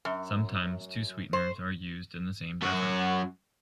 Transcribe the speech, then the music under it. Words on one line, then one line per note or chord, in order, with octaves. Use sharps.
Sometimes two sweeteners are used in the same beverage.
F#2
C5
F#2 F#4